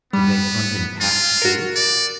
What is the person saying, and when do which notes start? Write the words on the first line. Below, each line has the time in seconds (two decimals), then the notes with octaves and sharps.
Did they hunt in packs, too?
0.13 G3 B3
1.01 F4
1.42 F#4 A#4
1.76 D5